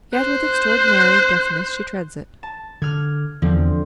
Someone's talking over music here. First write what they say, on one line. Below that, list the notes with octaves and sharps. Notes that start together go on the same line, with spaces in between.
Yet with extraordinary deftness she treads it.
C5 F#6
A5
D3 F6 G#6
E2 D3 F3 C4